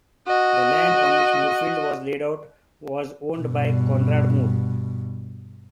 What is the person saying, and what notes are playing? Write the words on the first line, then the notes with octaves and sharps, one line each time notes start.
The land on which Moorefield was laid out was owned by Conrad Moore.
F#4 D#5
G2 B2